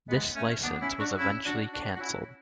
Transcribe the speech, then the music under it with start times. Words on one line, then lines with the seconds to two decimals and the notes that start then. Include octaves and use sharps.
This license was eventually canceled.
0.09 G#3 B3
0.35 A3 C#4
0.63 B3 D4
0.81 C#4 E4
0.99 D4 F#4
1.18 C#4 E4
1.45 D4 F#4
1.72 D4 F#4
1.96 F#4
2.00 C#4 E4